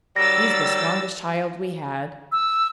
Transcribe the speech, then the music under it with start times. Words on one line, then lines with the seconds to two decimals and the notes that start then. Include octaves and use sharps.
He's the strongest child we had.
0.16 D#3 F#3 G3 E6 A6 A#6
2.32 E6